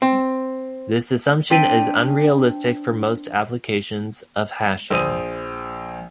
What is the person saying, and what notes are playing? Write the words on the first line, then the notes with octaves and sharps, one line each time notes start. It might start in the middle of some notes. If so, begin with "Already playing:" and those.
This assumption is unrealistic for most applications of hashing.
C4
C4 D4 G5 B6 D#7
A#1 C5 D#6 D#7